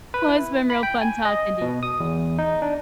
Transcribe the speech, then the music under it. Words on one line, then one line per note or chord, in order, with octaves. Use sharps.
Well, it's been real fun talking to you.
B4
E4
B5
G5
G#5
D#5
B2
D#6
E2
D#4
D4